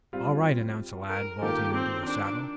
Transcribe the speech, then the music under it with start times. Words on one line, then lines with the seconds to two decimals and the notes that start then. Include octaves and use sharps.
"All right," announced the lad, vaulting into the saddle.
0.13 G3 C4 F4
1.09 A#4
1.42 D#3 A#3 F4 G4 A4
1.74 C4
2.06 D4